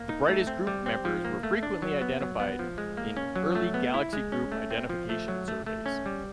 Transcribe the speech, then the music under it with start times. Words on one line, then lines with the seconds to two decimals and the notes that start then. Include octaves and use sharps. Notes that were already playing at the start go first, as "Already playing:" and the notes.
The brightest group members were frequently identified in early galaxy group identification surveys.
Already playing: A#3
0.09 D#4
0.28 A3
0.47 C4
0.67 G3
0.86 C4
1.05 F3
1.25 A#3
1.43 A3
1.63 D4
1.82 F#3
2.02 B3
2.21 F#3
2.40 B3
2.59 F3
2.78 G#3
2.97 A#3
3.17 C#4
3.36 F#3
3.55 A3
3.74 B3
3.94 E4
4.13 G#3
4.32 C#4
4.52 A3
4.71 C4
4.89 F3
5.09 A3
5.28 F#3
5.48 A3
5.66 A3
5.86 C#4
6.06 G3